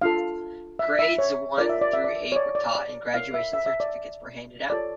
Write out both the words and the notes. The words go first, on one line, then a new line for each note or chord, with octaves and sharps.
Grades one through eight were taught, and graduation certificates were handed out.
D4 F4 A4 F5
E5
E5
C#5
F4 A#4 C#5 D5
E5
D5
E5
D5
C#5
D5
D5
D5
E4 A#4 C#5 F5
E5
E5
E5
D5
F4 A4 C#5 D5